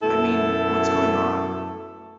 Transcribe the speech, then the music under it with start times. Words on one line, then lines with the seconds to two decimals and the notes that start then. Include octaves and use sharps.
I mean 'what's going on?
0.03 F#2 B2 A3 E4 A4